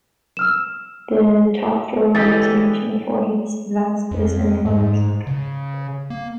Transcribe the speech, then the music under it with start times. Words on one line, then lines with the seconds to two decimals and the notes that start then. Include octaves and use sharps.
The top four runners in each of the four heats advanced to the semifinals.
0.37 E6 F6 E7
2.15 D3 E3 G4 C#5 D#5 A6
4.11 F2
4.65 G#2
5.27 C#3
6.10 A#3